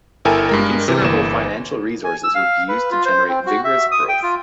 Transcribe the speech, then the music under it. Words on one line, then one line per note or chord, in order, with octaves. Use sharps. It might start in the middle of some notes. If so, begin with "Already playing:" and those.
The considerable financial resources would be used to generate vigorous growth.
G1 E4 A4 A#4 G5 G#5
G2 G#3 A#4
C3 E3
G1 E3 A#3 E7
G#5
E6
F5
B4
F4
C5
C4
F#4
E5
D#6
G5
F4